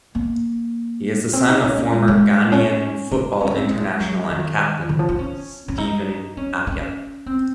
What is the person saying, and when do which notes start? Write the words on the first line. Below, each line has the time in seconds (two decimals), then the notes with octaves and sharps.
He is the son of former Ghanaian football international and captain Stephen Appiah.
0.15 A#3
1.33 C4
1.48 D#4
1.63 C#4
1.78 A#3
1.93 G#3
2.08 G#3
2.52 C#4
3.11 D#4
3.41 C#4
3.55 C4
3.71 G#3
4.00 F#3
4.30 D#3
4.89 D#3
4.99 F3
5.09 D#4
5.19 C#4
5.68 C#4
5.78 D#4
6.37 C#4
6.67 C#4
7.26 C4